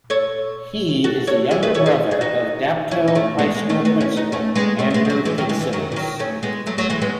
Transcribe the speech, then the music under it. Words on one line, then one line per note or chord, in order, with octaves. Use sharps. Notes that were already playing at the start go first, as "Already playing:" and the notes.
He is the younger brother of Dapto High School Principal, Andrew FitzSimons.
A4 C#5
F#4 A4
A4 C#5
E4 G#4
G#4 B4
A4 C#5
G#4 B4
G#4
D#4 F#4
C#4 E4
D#4
A3 C#4
G#3 B3
G#3 B3
A3 C#4
B3 D#4
C#4 E4
B3 D#4
A3 C#4
G#3 B3
A3 C#4
A3
G#3 B3
G#3
F#3 A3
E3 G#3
D#3 F#3
E3 G#3
E3
D#3 F#3
E3
D#3 F#3
A3 C#4
G#3 B3
F#3 A3
F#3 A3
E3 G#3
G#3 B3